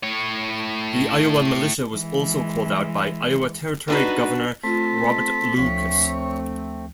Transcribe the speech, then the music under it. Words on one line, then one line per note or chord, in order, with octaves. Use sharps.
The Iowa militia was also called out by Iowa Territory governor Robert Lucas.
A2 C#5
E3 G#3
B3 D4 D#4 F#4 B4
A3 C4 F4 A4 B6
D2 F3 A3 C4 C#5